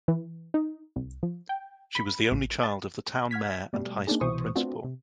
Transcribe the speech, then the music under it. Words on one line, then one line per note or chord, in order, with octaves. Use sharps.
She was the only child of the town mayor and high school principal.
E3
D#4
C2
F3
G5
B5
A1
A5
F#5 F6 G#6 B6
B2 G3 A3
A#3 C4 D4 D#4 G#4
C2 B2 E3 C5 C#6 D#6
A3 B3 C4 D4 F4 F#4
C3